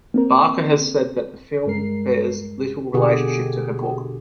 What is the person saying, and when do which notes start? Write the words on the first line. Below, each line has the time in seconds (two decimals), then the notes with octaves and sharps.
Barker has said that the film bears little relationship to her book.
0.14 A#3 C4 A#4
1.66 G2 G#3 A#4 C7
2.94 B2 D3 G4 G#4 F#5